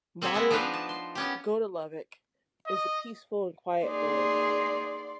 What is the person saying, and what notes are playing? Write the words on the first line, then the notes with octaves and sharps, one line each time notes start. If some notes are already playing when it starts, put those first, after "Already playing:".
Modern Gotalovec is a peaceful and quite village.
A#3 C4 F4 G#4 C#5 E5
G#3 B3 E4
F3 D4 D#4 B4 F5
A5
C6
B3 C#4 G4
D#5
A#3 D#4 G#4 D5 C6